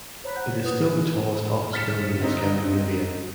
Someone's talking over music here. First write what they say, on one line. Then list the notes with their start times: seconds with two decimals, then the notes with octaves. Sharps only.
It is still the tallest office building in Scandinavia.
0.24 C5 C#5 A#5 B5 F#6 B6
0.35 C5 F#5 F#6 G6
0.64 B4 D#6
1.73 F6 A6 B6 C#7 E7
2.20 D3 C4 D#4